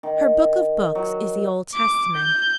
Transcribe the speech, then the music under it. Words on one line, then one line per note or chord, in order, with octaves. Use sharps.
Her book of books is the Old Testament.
D#3
F#3
D6
G6